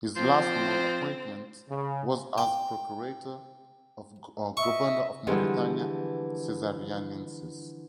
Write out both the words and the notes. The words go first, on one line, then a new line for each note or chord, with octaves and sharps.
His last known appointment was as procurator or governor of Mauretania Caesariensis.
F3 C4 C5
C#3
G5
D#5 E5 C#6
D3 E3 F3 G3 G#3 B3